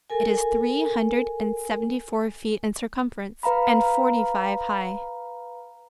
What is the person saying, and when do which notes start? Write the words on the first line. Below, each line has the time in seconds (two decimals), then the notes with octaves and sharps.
It is three hundred and seventy-four feet in circumference and forty-five high.
0.10 A4 A#4 G#5
3.43 B4 F5 A#5 B5